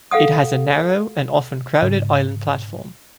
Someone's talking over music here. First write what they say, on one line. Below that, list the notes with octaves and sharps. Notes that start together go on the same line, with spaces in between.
It has a narrow and often crowded island platform.
A4 F5 F#5 D#6
G#2 C#3